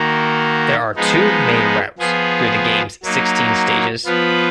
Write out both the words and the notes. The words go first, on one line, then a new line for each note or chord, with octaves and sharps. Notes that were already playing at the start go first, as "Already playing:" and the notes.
There are two main routes through the game's sixteen stages.
Already playing: D#3 A#3 D#4 F#4
F3 G#3 B3 D#4
F3 B3 F4 G#4
F#3 A#3 D#4
F3 B3 F4 B4